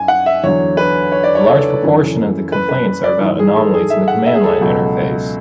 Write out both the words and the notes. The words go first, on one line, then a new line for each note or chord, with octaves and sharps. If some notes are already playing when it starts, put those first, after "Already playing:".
A large proportion of the complaints are about anomalies in the command line interface.
Already playing: F#2 G#5
F#5
E5
E2 D3 F#3 C#5
B4
C#5
D5
C#5
A4
F#2 E3
B4
B4
B4
D5
G#2 E3
G#4
A4
G#4
E5
F#5
E5
G#4
A4
C#2 B2 F#3